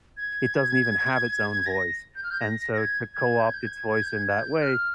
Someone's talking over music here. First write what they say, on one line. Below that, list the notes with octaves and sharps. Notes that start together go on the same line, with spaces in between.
it doesn't even have its own voice, and so to co-opt its voice in that way
G#6
A#6
G6
F6
G6
A#6
A#6
A#6
G#6
G#6
G6
G#6
G6
G#6
G#6
G6
G#6
G6
F6